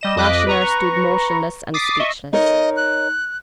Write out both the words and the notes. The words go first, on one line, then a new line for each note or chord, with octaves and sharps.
Lacheneur stood motionless and speechless.
G3 D#5 E7
F2 D#5 D6 F#6 B6
B4 A#5 C#6
D6 D#6 A6 B6 C7
D#5 E5 C#6
D#4 A#4 C#5 D#5
F#6